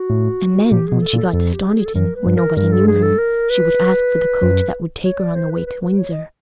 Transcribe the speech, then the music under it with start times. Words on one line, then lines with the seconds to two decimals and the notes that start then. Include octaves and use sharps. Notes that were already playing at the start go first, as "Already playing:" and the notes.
And then, when she got to Stoniton, where nobody knew her, she would ask for the coach that would take her on the way to Windsor.
Already playing: F#4
0.10 A2
0.65 F#4
0.71 A#2 G4
0.87 B2 G#4
1.02 A4
1.13 A#2
1.18 A4
1.33 F2 A4
1.54 G4
1.74 G#4
1.86 A4
1.95 F#2 A#4
2.16 B4
2.26 G2
2.36 A#4
2.57 G2 A#4
2.72 A4
2.88 G#4
3.03 A4
3.18 A#4
3.50 B4
4.42 F#2
5.04 C#5
5.20 D5
5.35 C5
5.50 B4
5.66 B4
5.82 B4
5.97 C#5
6.13 D#5